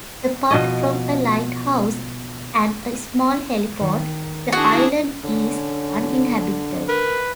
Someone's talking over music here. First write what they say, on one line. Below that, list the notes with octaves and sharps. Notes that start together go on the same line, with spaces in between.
Apart from a lighthouse and a small heliport, the island is uninhabited.
B2 F3 D#5
D#3
D4 E4 F#4 G#4
D3 C#4
A#4 B4